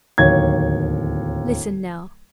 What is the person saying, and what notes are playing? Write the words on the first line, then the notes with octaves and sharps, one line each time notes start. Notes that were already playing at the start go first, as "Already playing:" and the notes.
Listen now.
D1 D#2 C#5 G#6